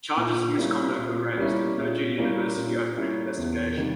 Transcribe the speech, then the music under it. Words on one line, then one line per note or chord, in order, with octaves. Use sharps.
Charges of misconduct were raised, and Purdue University opened an investigation.
A#2
G3 A#3 C#4 E4
A#2
G3 A#3 C#4 E4
A#2
G3 A#3 C#4 E4
A#2
G3 A#3 C#4 E4
E2
C3 D#3 G3 A#3